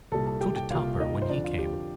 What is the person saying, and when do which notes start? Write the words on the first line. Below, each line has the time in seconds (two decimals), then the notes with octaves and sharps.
So did Topper when he came.
0.12 C2 A#2 G3 A4 A5
0.27 A4 A5
0.41 G4 G5
0.56 G4 G5
0.70 C2 A#2 G3 F4 F5
1.00 D#4 D#5
1.22 C5
1.29 F2 D3 F3 D4 D5
1.44 F4
1.59 G4
1.74 G4